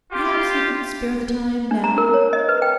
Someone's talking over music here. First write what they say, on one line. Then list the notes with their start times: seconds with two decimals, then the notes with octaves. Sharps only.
Perhaps you could spare the time now?'
0.12 F4 G4
1.71 D4
1.84 A#5
1.98 A#4
2.14 C#5
2.33 D#5
2.49 B4
2.62 G5